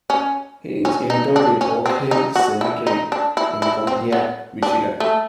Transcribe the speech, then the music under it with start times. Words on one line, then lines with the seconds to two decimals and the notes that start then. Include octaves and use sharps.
He is interred in Oak Hill Cemetery, in Pontiac, Michigan.
0.10 C#4
0.85 C#4
1.10 D#4
1.36 D4
1.61 C#4
1.86 C4
2.11 D#4
2.36 F#4
2.61 E4
2.87 D#4
3.12 D4
3.37 E4
3.62 E4
3.87 C4
4.12 B3
4.62 D4
5.00 A3